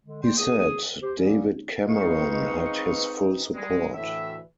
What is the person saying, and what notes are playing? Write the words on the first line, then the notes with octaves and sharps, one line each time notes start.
He said David Cameron had his full support.
D3 G#3
D5 G5 C6
G#4 D#6
G4 C5
D#3 F3 G3 A#3 B3 C#4
G#3 C4 D#4 B4 F5 C#6
G3 G#3
D2 A2 E3 E5